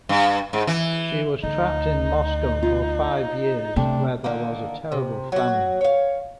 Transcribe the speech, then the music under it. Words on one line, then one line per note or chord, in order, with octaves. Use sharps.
She was trapped in Moscow for five years, where there was a terrible famine.
G2
G#2
E3
D2 D#4
F4
C3 A3 D4
D3 D#3 A#3
C3
F#3 F#4
C#5 F5